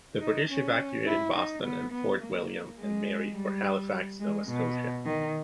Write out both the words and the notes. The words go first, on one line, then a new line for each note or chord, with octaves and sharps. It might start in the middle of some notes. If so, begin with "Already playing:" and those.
The British evacuated Boston and Fort William and Mary for Halifax, Nova Scotia.
D#4
C#4
E4
D#4
B3
B3
A#3
G#3
G3
G#3
B2
D#3